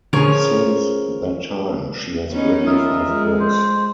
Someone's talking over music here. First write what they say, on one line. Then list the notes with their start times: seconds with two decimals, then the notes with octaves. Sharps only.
Since that time, she has written five books.
0.13 D3 F3 C#4 G#4 A#4 C#5
2.30 B3 C#4 D#4
2.67 F4 A#4 D#5 E5
3.08 G#3
3.40 C5